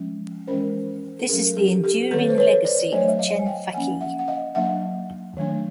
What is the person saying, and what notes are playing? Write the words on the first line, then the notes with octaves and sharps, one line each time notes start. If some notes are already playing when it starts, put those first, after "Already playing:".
This is the enduring legacy of Chen Fake.
Already playing: F3 G#3 C#4
E3 G#3 C#4 A#4 C5
A4
F#3 A3 C#4 G#4 A#4
G4 A4
G4 A4
D#3 G3 C4 A4 B4
C5
B4 C#5
C5 D5
F#3 A3 D4 C#5 D#5
E5
D#5 F5
G#5
F5 G5
F3 A#3 C#4 F#5 G#5
E5 F#5
F#5
D#5 F5
F#3 A#3 D4 E5 F#5
D#3 F#3 A3 D4